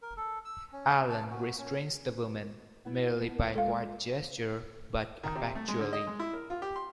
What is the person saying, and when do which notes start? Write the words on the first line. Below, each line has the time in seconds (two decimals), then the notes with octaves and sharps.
Allan restrains the woman, merely by a quiet gesture, but effectually.
0.02 A#4
0.17 A4
0.45 E6
0.73 C#4
1.09 A5
1.31 F#4
1.58 C#4
2.85 B3 E4 F#5
3.21 B3 A5
3.55 G#3 F4 A4 F5
5.23 D#3
5.35 C3
5.55 A3
5.68 G#3
5.80 D3
5.93 D#5
6.07 G#3
6.20 E4
6.33 A#4
6.50 F4
6.62 G4
6.76 C6